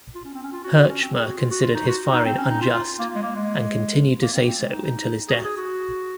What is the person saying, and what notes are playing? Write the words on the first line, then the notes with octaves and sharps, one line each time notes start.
Herchmer considered his firing unjust, and continued to say so until his death.
F4
C#4
C4
C#4
F4
F#4
F#4
C#4
C4
G#4
F#4
F4
F#4
F4
D#4
F#4
D#4
C4
C#4
D#4
F4
F4
A#3
G#3
A#3
G#3
A#3
C4
C4
G#3
D#4
D#4
G#4
F#4
G#4
F#4